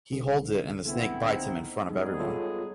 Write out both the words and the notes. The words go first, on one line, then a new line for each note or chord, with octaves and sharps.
He holds it and the snake bites him in front of everyone.
C2 D3 G#4
B3 C4 E4 A4
D#4
G3 G#3 B3 D#4 G#4
F4 A4 C#5